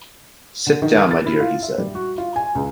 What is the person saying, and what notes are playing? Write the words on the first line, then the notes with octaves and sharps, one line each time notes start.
"Sit down, my dear," he said.
D3
D#3
F6
A6
E4
F4
E5
G3
F#4
F4
G#5
C#2